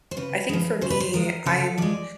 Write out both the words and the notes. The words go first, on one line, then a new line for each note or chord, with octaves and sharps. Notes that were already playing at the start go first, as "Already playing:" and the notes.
I think for me, I am
C5
C#3 B4
F3 G#3
C#3 C5
B4
C5
F3 G#3 A#4
C#3 A4
F3 G#3 D5